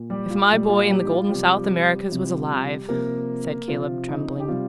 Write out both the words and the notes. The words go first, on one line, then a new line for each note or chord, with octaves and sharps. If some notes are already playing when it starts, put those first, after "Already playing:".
"If my boy in the Golden South Americas was alive----!" said Caleb, trembling.
Already playing: A#2
G3 G4
F4
A#2 G3
F4
G3 G4
D#4
F4
C3 F3 G3 G4
C3 F3
C3 F3 A#3 A#4
C3 F3 F4
D#4
G4
C3 G3 F4